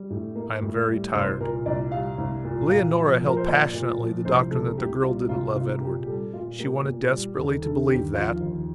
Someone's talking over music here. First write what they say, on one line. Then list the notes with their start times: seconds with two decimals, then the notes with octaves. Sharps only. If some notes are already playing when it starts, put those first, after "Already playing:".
I am very tired. Leonora held passionately the doctrine that the girl didn't love Edward. She wanted desperately to believe that.
Already playing: G3
0.10 A2
0.35 A#3
0.62 A2
0.88 G3
1.14 C2 C5
1.40 A#2 A#4
1.66 C2 D5
1.92 G3 F5
2.18 C2
2.44 A#2
2.69 A#2 F5
2.96 F3
3.22 A#2 A#4
3.37 C5
3.47 A#3 D5
3.74 A#2
4.00 F3
4.25 C2 C5
4.51 C3 A4
4.78 C2 G4
5.03 G3 F4
5.29 C2 F4
5.55 C3 F4
5.81 A#2 G4
6.03 G4
6.07 G3 A4
6.33 A#2 F4
6.59 A#3 G4
6.85 A#2
7.11 G3
7.36 D#2 A4
7.63 D3 A4
7.88 D#2 G4
8.14 F3 F4
8.41 D#2